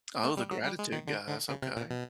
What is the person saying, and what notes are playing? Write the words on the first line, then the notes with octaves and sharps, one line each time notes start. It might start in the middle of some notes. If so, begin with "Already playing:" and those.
Oh, the gratitude guys. Okay.
A3
G3
F#3
G3
G#3
D#3
D3
D3
C#3
C3
A#2
B2